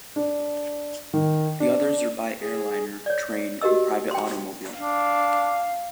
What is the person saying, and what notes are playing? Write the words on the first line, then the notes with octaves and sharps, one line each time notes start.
The others are by airliner, train, and private automobile.
D4
D#3
D4
G#4
C#5 D5
F#4 G4 A#4 D#5 E6
G5 C6
D4 F5